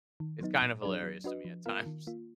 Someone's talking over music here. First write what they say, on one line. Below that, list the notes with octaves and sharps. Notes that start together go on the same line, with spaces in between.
It's kind of hilarious to me at times.
D#3
F#3 B3 D#4
A#2
F#3 D4 G#4 D5
F#3
D4 F#4 B4 D#5
F3
B3 F4 A#4 F5
D#3
A#3 F4